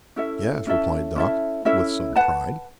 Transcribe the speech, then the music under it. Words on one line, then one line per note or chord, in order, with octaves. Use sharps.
"Yes," replied Dot, with some pride.
C#4 E4 A4 E5
C#4 E4 A4 E5
C#4 E4 A4 E5
C#4 E4 A4 E5
B4 F#5 A5